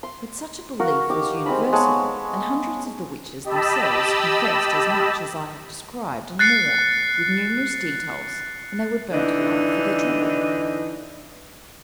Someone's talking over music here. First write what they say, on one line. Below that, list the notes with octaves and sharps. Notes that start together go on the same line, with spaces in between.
But such a belief was universal, and hundreds of the witches themselves confessed as much as I have described, and more, with numerous details, and they were burnt alive for their trouble.
C6
F#4 A#4 F5
D#4 G4 D6
G#3 C4 D#4 B5
G#3 B3 C#5 A5
G4 D#5 A5 B5 E6
F#6 A6 C7 C#7
D3 E3 D4 D#4